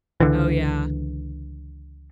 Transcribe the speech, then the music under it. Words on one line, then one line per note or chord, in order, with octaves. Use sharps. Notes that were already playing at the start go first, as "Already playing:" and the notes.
Oh, yeah.
C#2 D3 E3